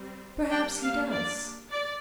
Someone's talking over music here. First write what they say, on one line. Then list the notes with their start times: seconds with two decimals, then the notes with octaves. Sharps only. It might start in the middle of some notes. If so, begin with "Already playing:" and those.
Perhaps he does.
Already playing: G3 C4
0.50 G3 A#3 D4 G5
0.81 F5
1.11 D5
1.71 D5